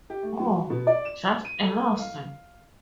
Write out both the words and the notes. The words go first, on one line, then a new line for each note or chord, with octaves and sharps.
Oh, just a lassie.
G4
A3
F#3
B2
D5
E7
D#7
A4
F5